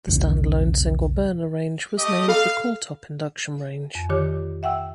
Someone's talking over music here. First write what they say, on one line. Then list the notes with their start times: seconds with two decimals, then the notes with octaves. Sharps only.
The stand-alone single-burner range was named the Cool Top Induction Range.
0.07 F#1 B1 E2 C#3
1.96 A3 G4 D#5
2.28 A4 F5 B5
3.95 F2
4.09 D3 D#3 F4 G4 C#5 D6
4.63 E5 F#5 G5 E6